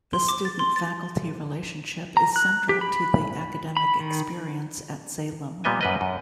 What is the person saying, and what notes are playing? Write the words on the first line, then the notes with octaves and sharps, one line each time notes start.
The student-faculty relationship is central to the academic experience at Salem.
C6
D6
A6
C6
A6
A#5
F#6
G4
B5
B5
D#3
A#2 G3 B3 D#5 G#5
F#2 B4 D#5
F#2